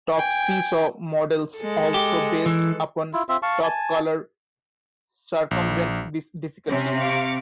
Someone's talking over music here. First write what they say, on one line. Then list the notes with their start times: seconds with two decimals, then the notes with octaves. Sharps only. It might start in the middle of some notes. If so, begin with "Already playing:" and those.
"Top Seesaw" models, also based upon Topcolor, circumvent this difficulty.
0.14 G5 G#5
1.58 G#3 A4
1.94 G4
2.46 E3
3.13 E4 F4
3.29 C4 F4 E5
3.43 F5 A5 C#6
3.63 G#5 A5
5.51 A#1
6.69 C3 C#4
7.01 F5 C#6 D6